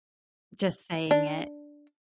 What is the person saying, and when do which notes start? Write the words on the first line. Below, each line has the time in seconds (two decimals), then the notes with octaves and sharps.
just saying it
1.11 D4